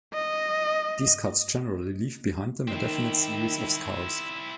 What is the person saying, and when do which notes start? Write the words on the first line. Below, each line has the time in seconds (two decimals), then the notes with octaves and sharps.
These cuts generally leave behind them a definite series of scars.
0.13 D#5
2.68 D#3 C4 E4